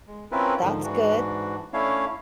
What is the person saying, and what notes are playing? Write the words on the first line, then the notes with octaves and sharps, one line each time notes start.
That's good.
G#3
C4 C#4 E4 F4 A#4 B4
G#2 D3 D#3 F3
G#2 E3 D4 F#4
A3 C#4 D4 E4 C#5 F5